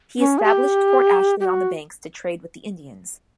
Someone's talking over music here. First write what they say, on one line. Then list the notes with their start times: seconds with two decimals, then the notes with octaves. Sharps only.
He established Fort Ashley on the banks to trade with the Indians.
0.19 C#4
0.39 G#4
0.44 G4
1.40 G4
1.45 F#4